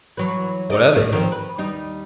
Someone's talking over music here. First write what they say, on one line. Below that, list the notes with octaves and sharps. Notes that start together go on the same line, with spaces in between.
"What of it?"
E3 F#3 B4
D#4 D5 D#5
A2
D#3 F3 C4
B4
D#2 G3 D#4